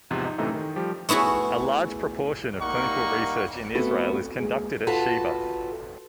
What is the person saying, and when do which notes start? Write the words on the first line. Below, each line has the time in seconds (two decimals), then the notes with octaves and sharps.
A large proportion of clinical research in Israel is conducted at Sheba.
0.10 E2 G#2 C3 F3
0.25 D#4
0.38 F#2 A2 C3 E3 A3 D#4
0.54 D#3
0.76 F3 G3 G4
1.09 A3 B3 E4 F#4 G#4
2.60 G3 A#3 D#4 F#5 C#6
3.74 A3 B3 C4 F#4 A4
4.38 G#3 A#3
4.87 F4 F#4 A4 B4 A5